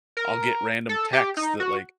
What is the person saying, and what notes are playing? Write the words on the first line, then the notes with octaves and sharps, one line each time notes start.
I'll get random texts that like,
A#4
A4
G4
D#4
F#4